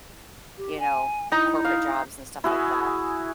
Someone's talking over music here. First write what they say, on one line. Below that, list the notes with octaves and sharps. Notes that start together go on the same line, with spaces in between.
you know, corporate jobs and stuff like that.
G4
G#5
D#4 E4 A#5
F5
E4 F#4 G#4